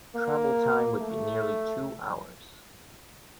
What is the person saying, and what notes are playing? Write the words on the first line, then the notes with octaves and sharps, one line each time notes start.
Travel time would be nearly two hours.
A#3
A3